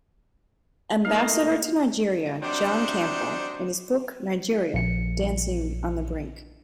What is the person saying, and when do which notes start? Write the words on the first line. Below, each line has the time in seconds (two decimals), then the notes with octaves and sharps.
Ambassador to Nigeria John Campbell in his book, Nigeria: Dancing on the Brink.
1.05 A3 A#3 D#4 F5
2.43 C3 F#3 G3 D4 D#4 C5
4.74 A#1 C#7